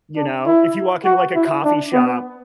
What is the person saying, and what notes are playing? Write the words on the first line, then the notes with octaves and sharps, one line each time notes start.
You know? If you walk into, a coffee shop
D4
E4
F#4
E4
D4
B3